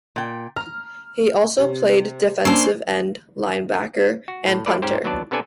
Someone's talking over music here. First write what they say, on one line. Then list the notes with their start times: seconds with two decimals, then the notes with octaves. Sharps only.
He also played defensive end, linebacker, and punter.
0.16 A#2 G5
0.56 A#5 F6
1.58 C3
2.45 A#3 C#4 D4 C5 A5 E6 C7
4.28 F#4
4.47 A2
4.66 F3 A3 F4 A4 B4 D5
4.82 G#2 C#4 G4 C5
5.04 D#2 F#3 B3 D4 D5 A5
5.31 C3 B3 D4 A4 D5 G#5